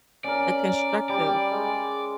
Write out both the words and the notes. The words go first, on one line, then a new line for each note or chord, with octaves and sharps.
A constructive
C#4 A#4 D5
G3 D5
G#3